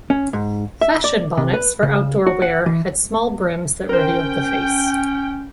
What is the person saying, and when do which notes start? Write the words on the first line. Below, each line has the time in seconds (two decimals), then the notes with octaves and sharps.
Fashion Bonnets for outdoor wear had small brims that revealed the face.
0.10 C#4
0.33 G#2
0.81 E5
1.04 D5
1.37 C3
1.54 B4
1.83 C#3
2.27 F#4
2.42 F#5
2.66 E3
3.89 C#4 A#4 C5 G5